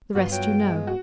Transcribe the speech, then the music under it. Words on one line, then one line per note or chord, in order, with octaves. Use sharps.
The rest you know.
G2 B3 F4 F#4
F#3 G5
G#3
F#4